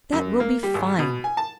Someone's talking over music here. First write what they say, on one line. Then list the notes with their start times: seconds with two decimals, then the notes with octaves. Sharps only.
"That will be fine."
0.12 F#2
0.40 A#3
0.63 G3
0.74 G#1
0.99 B2
1.24 G#5
1.37 A5